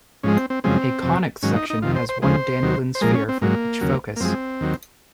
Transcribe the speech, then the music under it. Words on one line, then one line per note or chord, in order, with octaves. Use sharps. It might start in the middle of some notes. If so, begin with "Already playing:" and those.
A conic section has one Dandelin sphere for each focus.
G#2 F3 G#3 C#4
C4
C4
F#2 C#3 F3 G#3 C4
F2 C3 F#3
G#2 D#3 F#3 C#4
D#4
D#4
F2 C3 D#3 F4
C5
C5
D#2 C#3 F3 G#3 C5
D#2 D#3 F#3
C5
A#2 F3 G#3 A#4
C#4
C4
G#2 F#3 A#3
D#2 C#3 F#3
A#3
F#2 F3 G#3 C4
D#2 D#3 F#3